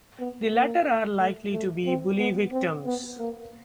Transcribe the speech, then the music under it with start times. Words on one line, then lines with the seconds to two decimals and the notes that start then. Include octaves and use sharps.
The latter are likely to be bully-victims.
0.19 B3
0.53 A#3
1.19 A3
1.52 A3
1.85 C4
2.18 B3
2.52 C4
2.85 B3
3.18 A#3